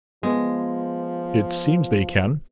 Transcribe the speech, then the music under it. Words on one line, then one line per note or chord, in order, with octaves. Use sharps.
"It seems they can."
F3 G#3 B3 B4